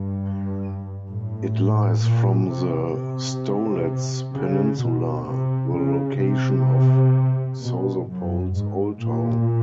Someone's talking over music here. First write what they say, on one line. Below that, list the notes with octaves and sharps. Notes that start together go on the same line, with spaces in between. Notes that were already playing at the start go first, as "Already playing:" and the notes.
It lies from the Stolets peninsula, the location of Sozopol's Old Town.
Already playing: G2
A2
A#2
C3
C3
C#3
B2
C3
C#3
C3
B2
F#2
G#2
A#2